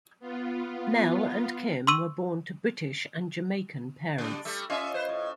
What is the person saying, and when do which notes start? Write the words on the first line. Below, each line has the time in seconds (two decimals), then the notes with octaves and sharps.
Mel and Kim were born to British and Jamaican parents.
0.20 B3 F4
1.87 C6 C#6 E6 D#7 F#7
4.18 C#3 G3 D4
4.45 G3 A3 E5
4.70 C#4 F4 C#5 D#5 E5
4.94 B4 C5
5.09 A2